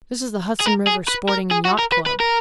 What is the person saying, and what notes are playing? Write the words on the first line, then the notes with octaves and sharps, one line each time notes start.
"This is the Hudson River Sporting and Yacht Club."
G#4
A#4
G#4
B4
A#4
G#4
F#4
A#4
B4
B4
A#4